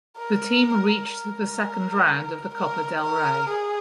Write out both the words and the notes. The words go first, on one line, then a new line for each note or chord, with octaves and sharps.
The team reached the second round of the Copa del Rey.
A#4
A#4
A#4
A#4
G#4